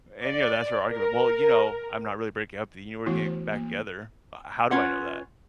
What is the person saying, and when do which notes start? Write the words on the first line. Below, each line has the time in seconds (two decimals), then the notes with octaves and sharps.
And, you know, that's her argument, "Well, you know, I'm not really breaking up, th you know we're get back together." H how do I know that?
0.23 D5
0.92 A#4
3.06 E3 A3 B3 E4 F#4
3.24 C5
3.52 A#3
4.71 C#4 F4 B4 F#5